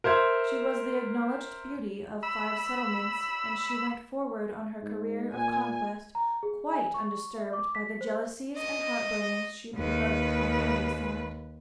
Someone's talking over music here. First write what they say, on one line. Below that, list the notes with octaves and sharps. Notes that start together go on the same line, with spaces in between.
She was the acknowledged beauty of five settlements, and she went forward on her career of conquest quite undisturbed by the jealousies and heart-burnings she provoked on every side.
A#4 C5 E5 G#6
B5 E6
G#2
A#2 G#5
A#5
G#4
G#5
C#6
E5
D6
B6
C5
D#5
D#2 B4